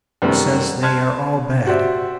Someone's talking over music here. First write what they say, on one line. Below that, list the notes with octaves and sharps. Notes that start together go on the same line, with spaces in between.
He says they are all bad.
F#2 C3 D#3 G3 A3 B3
A5 C6 F6 F#6 G#6
F#4 G4 C5 D5 E5